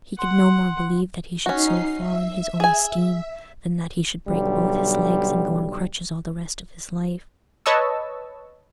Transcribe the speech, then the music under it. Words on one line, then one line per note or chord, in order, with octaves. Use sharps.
He could no more believe that he should so fall in his own esteem than that he should break both his legs and go on crutches all the rest of his life.
F#5 C6
C#4 D#4 F#4 C7
E5
G#4 G#5
B1 D3 G3
B4 C#5 D#5 A5 C#6 E6